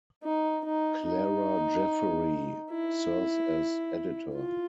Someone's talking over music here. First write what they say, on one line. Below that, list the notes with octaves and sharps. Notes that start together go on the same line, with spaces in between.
Clara Jeffery serves as editor.
D#4
D#4
D#4
E4
F4